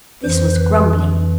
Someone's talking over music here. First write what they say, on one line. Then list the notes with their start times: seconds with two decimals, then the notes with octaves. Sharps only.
This was grumbling.
0.23 F2 E3 C5
0.56 B4